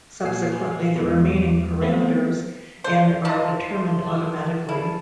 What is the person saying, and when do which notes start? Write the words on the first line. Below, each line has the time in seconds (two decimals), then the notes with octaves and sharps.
Subsequently, the remaining parameters and are determined automatically.
0.24 A#2 F#3 G#5 C7
0.96 E2 G#3
1.81 A3 B3 C4
2.84 C#4 D4 C5 D5 F#5
3.25 F3 D4 D#4 E5 F5 A5 C6
4.69 C#4 E4 D5 A5